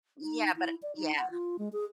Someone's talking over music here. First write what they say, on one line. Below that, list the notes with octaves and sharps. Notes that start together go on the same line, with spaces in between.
yeah but yeah.
D#4
E4
D5
D#4
F#5
F4
G#3
G#4